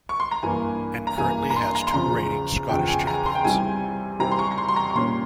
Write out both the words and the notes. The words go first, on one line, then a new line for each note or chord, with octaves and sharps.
And currently has two reigning Scottish champions.
C#6
C6
A#5
G2 E3 A#3 G#5
A#5
G2 E3 A#3 G#5
A#5
C6
A#5
C6
E2 C#3 F3 A#5
E2 C#3 F3 G5
G#5
A#5
C6
G5
C3 G3 C4 E4 G#5
C3 G3 C4 E4 A#5
C6
C#6
A#5
C6
C6
A#5
C#6
A#2 G3 C#4 C6